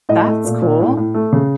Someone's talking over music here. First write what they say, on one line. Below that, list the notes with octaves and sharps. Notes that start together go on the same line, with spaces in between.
That's cool.
A2 D#5
A3
A#2
A#2
A2
A2
A3
C#3